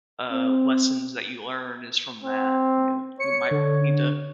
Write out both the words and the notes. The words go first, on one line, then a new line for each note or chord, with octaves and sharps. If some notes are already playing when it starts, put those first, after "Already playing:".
uh, lessons that you learn is from that, you know, you might need to
C4
C4
C#5 C#7
D3